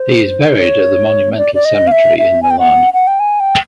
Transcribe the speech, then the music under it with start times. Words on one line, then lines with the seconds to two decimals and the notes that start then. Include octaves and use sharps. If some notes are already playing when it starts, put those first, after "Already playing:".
He is buried at the Monumental Cemetery in Milan.
Already playing: C5
0.57 C#5
1.38 D5
1.55 D5
1.65 D#5
1.87 F5
1.92 E5
2.18 E5
2.43 G#5
2.51 G5
2.59 F#5
2.93 F#5
3.07 G5
3.20 G#5
3.40 G5